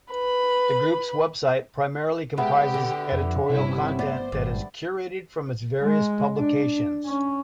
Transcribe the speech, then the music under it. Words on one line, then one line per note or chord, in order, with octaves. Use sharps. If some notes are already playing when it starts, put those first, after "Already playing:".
The group's website primarily comprises editorial content that is curated from its various publications.
B4 B5
G#3 B3 G4 E5
D3
F2
G1 C3 C#4 E4
B3 C5 D5
G#1 G2
G#3
D4
C#4